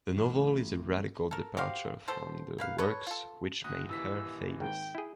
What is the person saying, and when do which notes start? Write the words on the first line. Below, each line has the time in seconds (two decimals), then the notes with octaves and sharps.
The novel is a radical departure from the works which made her famous.
0.17 A1
1.31 A4 A#4
1.57 F#4 G4 C5 F5
2.08 B2 A4 C5
2.58 A#3 B4 F5
2.78 A4 B4 C#5
3.07 F4 A4
3.64 D2 D#6 F#6
3.89 D#1 E3 E6 B6
4.60 G#1 G#2 G5
4.95 E4 G#4